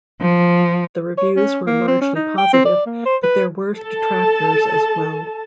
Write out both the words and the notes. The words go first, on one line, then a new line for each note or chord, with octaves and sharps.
The reviews were largely positive, but there were detractors as well.
F3
C#5
C#4
A#3
C4
C#4
D#4
G5
C4
D5
A#3
C5
B4
A4 A5